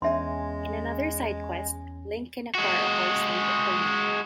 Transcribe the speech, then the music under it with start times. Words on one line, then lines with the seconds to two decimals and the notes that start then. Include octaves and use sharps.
In another side-quest, Link can acquire a horse named Epona.
0.02 E2 G#3 C#4 E5 G#5 C6
2.55 G#3 F#4